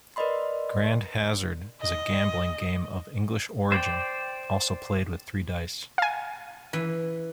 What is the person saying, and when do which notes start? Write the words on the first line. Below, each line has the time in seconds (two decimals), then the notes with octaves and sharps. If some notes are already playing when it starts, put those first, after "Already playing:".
Grand Hazard is a gambling game of English origin, also played with three dice.
0.16 A#4 B4 D5 D#5 B5 C6
1.81 D#5
3.72 C5 D5 G5
5.98 F5 G#5
6.73 E3